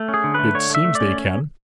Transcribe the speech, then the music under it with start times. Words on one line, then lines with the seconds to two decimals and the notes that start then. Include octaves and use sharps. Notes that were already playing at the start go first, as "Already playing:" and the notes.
"It seems they can."
Already playing: A3
0.08 C#4
0.14 G#4
0.24 D3
0.34 A3 B4
0.54 D3 C#5
0.70 A3 E5
0.84 A3
0.95 D5
1.00 C#4